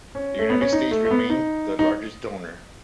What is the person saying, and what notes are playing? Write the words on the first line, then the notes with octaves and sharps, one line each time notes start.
The United States remain the largest donor.
C#4
A3
B3
C#4
D#4
A3
A3
B3
D#4
D#4